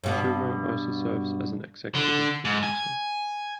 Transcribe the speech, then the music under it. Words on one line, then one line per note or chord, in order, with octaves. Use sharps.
Schumer also serves as an executive producer.
G2 B2
D3
G#2
G#5